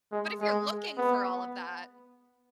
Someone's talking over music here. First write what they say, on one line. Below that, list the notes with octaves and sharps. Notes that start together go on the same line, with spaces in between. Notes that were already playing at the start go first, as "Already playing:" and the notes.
But if you're looking for all of that,
G#3
G#3
B3